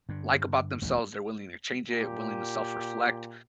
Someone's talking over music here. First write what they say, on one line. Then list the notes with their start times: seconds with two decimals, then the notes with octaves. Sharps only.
like about themselves, they're willing to change it, willing to self-reflect
0.09 G2 D3
0.82 D#1 A1 D#2
1.90 A#2 G4